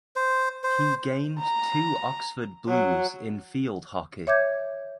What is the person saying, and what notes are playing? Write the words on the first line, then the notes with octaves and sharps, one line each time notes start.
He gained two Oxford blues in field hockey.
C5
C5
A#5
F#3
C#5 E5 D6 G6 G#6